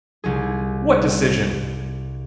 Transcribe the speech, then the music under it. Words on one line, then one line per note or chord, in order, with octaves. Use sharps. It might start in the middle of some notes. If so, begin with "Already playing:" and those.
What decision?
C2 G3 G#4